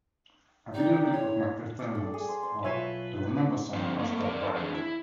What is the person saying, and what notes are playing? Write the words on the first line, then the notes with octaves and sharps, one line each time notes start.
A video clip of my performance of "The Remember Song" has 'gone viral.
D#4 G4 D5
E4 C#5
D5
A4
G#4
C6
C6
B1 F4 B4 C#5 E5 G#5
D3 F3 B3 C4 C5
A3 A#3
A#4 B4 D5
E3 D4 G#4 B4
E4